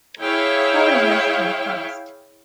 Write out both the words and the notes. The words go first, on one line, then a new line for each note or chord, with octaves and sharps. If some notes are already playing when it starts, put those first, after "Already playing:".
Four years had passed.
E4 G#4 C#5 E5 F5 G5